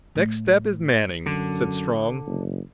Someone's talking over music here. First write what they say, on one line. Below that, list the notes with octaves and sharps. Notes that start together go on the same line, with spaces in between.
"Next step is Manning," said Strong.
A2
F#2 D3
F#1